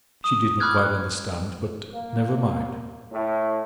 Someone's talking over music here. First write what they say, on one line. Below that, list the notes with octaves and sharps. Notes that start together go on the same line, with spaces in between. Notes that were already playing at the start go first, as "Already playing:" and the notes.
She did not quite understand--but never mind.
D#6
B5 D6 F6 F#6 G#6
A#3
A2